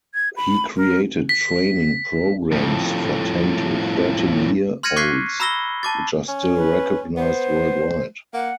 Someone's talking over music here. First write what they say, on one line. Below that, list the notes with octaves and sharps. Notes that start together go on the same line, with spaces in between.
He created training programs for ten to thirteen-year-olds which are still recognized worldwide.
G#6
B5
A#4
B6
F2 A2
C6 F6 G#6 A#6 C#7 D#7
C#6 D6 F#6 G#6 B6 C7
A#5 B5 E6 A#6 G7
A5 D6 A6
C#4
B4
B3 C5
A#3 F#5